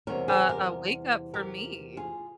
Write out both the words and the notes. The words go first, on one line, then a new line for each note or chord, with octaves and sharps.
a a wake up for me.
E2 C3 G3 C4 A#4 C#5
G#4 C5
G4 A#4
G4 A#4
F4 G#4